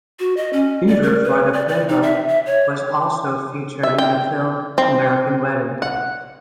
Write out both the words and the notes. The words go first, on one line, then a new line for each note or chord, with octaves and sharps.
"Fever for the Flava" was also featured in the film, "American Wedding".
F#4
D#5
C#4
D5
A#4
B4
D5
D5
D#4
E5
E5
C#5
E5
G5
C4
F#5